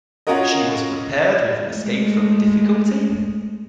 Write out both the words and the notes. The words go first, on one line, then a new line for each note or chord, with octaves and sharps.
She was prepared with an escape from the difficulty?
C#4 F4 F#4 A#4 D#5
G#3 A3